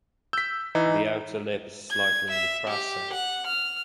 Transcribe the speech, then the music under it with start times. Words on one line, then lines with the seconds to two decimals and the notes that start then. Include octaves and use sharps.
The outer lip is slightly incrassate.
0.33 E6 G6 B6
0.75 E3 D#4
1.90 G#6
2.31 E5
2.68 G4
3.14 F#5
3.47 F6